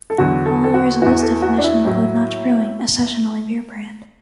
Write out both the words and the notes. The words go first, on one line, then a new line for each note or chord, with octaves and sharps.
Followers of this definition include Notch Brewing, a session only beer brand.
A4
E2 D3 F#3 F#4
A4
A4
F#4
E2 E3 F#4
A4
F#4
D4
E4
A2 F#3